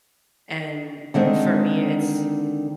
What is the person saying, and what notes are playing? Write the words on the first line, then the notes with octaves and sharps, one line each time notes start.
and for me, it's
D3 D#3 G#3 C4